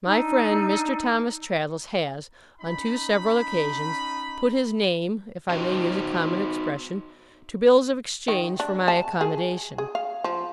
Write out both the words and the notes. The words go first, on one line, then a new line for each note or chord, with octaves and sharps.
My friend Mr. Thomas Traddles has, on two several occasions, "put his name", if I may use a common expression, to bills of exchange for my accommodation.
D4 D#4 E6
C#4 D#4 B5
D#4 F#4 C5 D#5
D#3
D4
A5
G#4
G#4
F5
F3